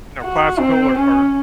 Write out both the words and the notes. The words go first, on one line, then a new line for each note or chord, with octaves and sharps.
you know, classical or or
F#4
C4
C#4